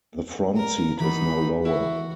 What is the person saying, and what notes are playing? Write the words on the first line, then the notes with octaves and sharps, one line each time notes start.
The front seat is now lower.
A#4
E3 B3 D#4 B5
E4 F#4